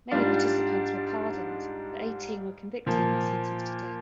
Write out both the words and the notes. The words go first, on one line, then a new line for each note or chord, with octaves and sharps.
Many participants were pardoned, but eighteen were convicted and sentenced to death.
G#2 G3 D4 F4
A#2 F3 A#3